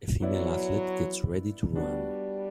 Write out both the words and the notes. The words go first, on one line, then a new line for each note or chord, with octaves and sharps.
A female athlete gets ready to run.
F#3 B3 E4 B4 D5
G3 B3 D4 F#4